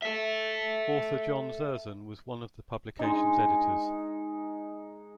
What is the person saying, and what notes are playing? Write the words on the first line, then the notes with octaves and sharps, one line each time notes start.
Author John Zerzan was one of the publication's editors.
A4 E5
G#3 D#4